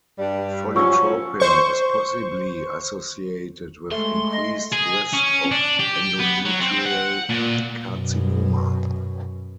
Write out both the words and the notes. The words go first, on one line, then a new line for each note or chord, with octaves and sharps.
Follitropin is possibly associated with increased risk of endometrial carcinoma.
G2 G3
F3 F#3 C#4 F4 C#6 E6
C5 C#6
G#3 A3 C6
D#5
G#4
C#4
D4
G4
B3
F#3
C4
F#5
A#2
F#2 B2